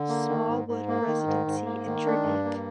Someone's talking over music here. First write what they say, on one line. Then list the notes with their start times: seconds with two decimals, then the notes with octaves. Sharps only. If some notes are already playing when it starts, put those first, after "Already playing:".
Small wood Residency in Drennec.
Already playing: D3
0.09 A#3
0.29 D#3
0.48 G#2
0.68 G#2
0.88 A#3
1.07 D#3
1.27 G#2
1.46 G#2
1.66 A#3
1.86 D#3
2.06 D4
2.25 G2
2.44 A#3